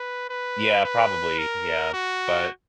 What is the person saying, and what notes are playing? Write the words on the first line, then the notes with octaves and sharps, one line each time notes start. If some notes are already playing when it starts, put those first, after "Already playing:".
yeah, probably, yeah, but
Already playing: B4
B4
B4
A#4
F#4